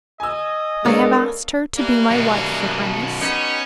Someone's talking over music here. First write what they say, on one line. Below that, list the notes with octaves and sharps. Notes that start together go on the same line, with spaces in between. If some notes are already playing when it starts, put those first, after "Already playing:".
"I have asked her to be my wife, your highness."
D#5 G#5 E6
G#3 B3 D4 A4 A#4 C#5 F5
E3 G3 A#3
F#2 B2
B3 C#4 D#4 G4